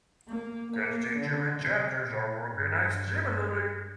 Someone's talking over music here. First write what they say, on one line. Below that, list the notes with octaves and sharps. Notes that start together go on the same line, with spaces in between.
Constituent chapters are organized similarly.
A#3
A#3
D3
C3
A#2
G2